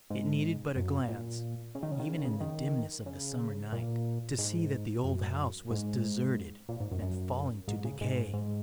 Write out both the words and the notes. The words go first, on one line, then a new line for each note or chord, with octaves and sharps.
It needed but a glance, even in the dimness of the summer night, to see that the old house was deserted and falling to decay.
G#2
F#2
A#2
C#3
D#3
C#3
D#3
C#3
D#3
C#3
D#3
C#3
A#2
G#2
F#2
G#2
A#2
G#2
F#2
F#2
G#2
C#3
G#2
G#2